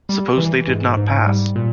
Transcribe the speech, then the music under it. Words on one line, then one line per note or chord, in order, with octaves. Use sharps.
Suppose they did not pass!
G3
E3
G#2
G#2
G3
A#2